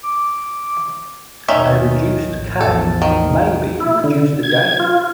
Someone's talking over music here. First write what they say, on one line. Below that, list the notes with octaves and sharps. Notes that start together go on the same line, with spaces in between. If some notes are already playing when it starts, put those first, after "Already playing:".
A reduced "K" may be reduced again.
D6
G1 D#2 B2 D#3 C#4 E5
A#1 A2
A1 E2 F3 A4
D#3
E4
D3
G#6
F4